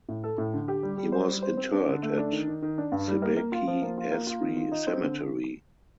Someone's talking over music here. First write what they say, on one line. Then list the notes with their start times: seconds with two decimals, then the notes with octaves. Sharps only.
He was interred at Cebeci Asri Cemetery.
0.09 A2
0.24 A4
0.38 A2
0.53 D3
0.68 G4
0.83 G3
0.98 G3
1.12 C5
1.28 G3
1.42 C5
1.57 C4
1.73 D4
1.88 D3
2.03 A3
2.18 D4
2.32 D#3
2.47 D#3
2.62 D#3
2.78 D4
2.92 G2
3.08 G3
3.22 A#3
3.37 A#3
3.52 F4
3.67 F3
3.82 A#3
3.98 F4
4.11 A#3
4.27 F4
4.41 D#3
4.57 F4
4.72 D#4
4.87 C4
5.02 D3